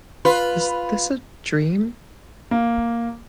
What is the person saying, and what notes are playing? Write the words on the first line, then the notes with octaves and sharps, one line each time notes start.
Is this a dream?
F4 B4
A#3